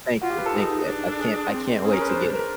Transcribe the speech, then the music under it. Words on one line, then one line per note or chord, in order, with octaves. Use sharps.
Thank you, thank you, I can't I can't wait to get it.
F4 F#4
G4
B4
A4
D#4 G#4
D4
A4
G#4
C4
C#4 G#4
A#4
B4
C5
D4 B4
A#4